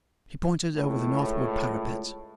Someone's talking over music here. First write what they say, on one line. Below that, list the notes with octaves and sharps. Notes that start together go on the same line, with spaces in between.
He pointed over the northward parapet.
C#2 A2